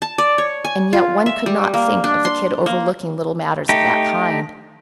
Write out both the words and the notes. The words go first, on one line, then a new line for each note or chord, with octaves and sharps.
And yet one could not think of the Kid overlooking little matters of that kind.
A5
D5
C#5
G#5
F4
E5
G3
A#3
D4
C6
A#3
A3 D#4 G4